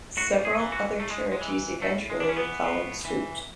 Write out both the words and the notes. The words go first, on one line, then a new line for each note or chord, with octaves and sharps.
Several other charities eventually followed suit.
A2 F#4
G#4
E3
F#4
A2 A3
G#3
G#3
E3
A2 A3
G#3
D4
E3
C#4
B3
A2
E3